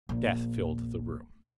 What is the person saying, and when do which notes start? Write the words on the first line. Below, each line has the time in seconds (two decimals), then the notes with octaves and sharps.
Death filled the room.
0.09 A#1